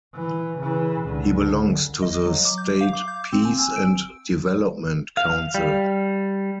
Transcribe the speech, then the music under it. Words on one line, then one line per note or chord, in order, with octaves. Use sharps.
He belongs to the State Peace and Development Council.
E3
C#3 E3
C#2 D3
D#5
F#3
D6
G6
F5
D6
G6
C4
G#5
E6
D7
F5
G3